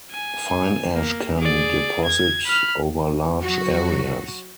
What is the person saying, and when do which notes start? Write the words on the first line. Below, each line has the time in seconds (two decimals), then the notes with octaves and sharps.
Fine ash can deposit over large areas.
0.11 G#5
0.93 A#3
1.39 G#4 D5
2.04 G#6
2.46 B5 F6
3.42 F#3 F#4